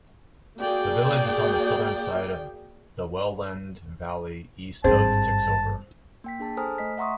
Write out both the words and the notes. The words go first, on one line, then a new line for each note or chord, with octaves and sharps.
The village is on the southern side of the Welland valley east of Tixover.
A#3 F#4 G#4 D5 G5
G#1 G2 C4 G#4 C5 A5
A#3 G5 B6
D4 G#4 A5
A4 C5 G#5 A#5 D#6 F6
A3 D#5 B6
E5 F#5 A#5 C6 C#6 D#6